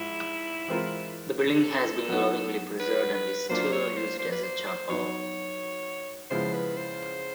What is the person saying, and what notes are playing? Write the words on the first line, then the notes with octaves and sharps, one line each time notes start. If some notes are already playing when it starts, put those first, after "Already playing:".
The building has been lovingly preserved and is still used as a chapel.
Already playing: G#2 F3 E4
E3 G#3 C4 F4 A#4
A4
F#3 B3 D#4 F#4
B4
B4
F#3 A#3 D4 F4 C5
C#5
C5
C5
B4
C5
C5
F#3 B3 D#4 C#5
C#3 F3 G#3 B3 E4 C5
B4
C5